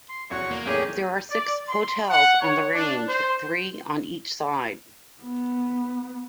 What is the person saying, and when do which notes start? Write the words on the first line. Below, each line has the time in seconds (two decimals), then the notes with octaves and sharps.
There are six "hotels" on the Range, three on each side.
0.09 C6
0.30 F1 E2 F#4 C#5 C#6 C#7
0.51 A#3
0.66 E2 A2 D#3 C#4 G4 G#4 C#5
1.30 D5
1.68 C6
2.10 F#5
2.41 C#5
2.73 D4
3.08 C5
5.23 B3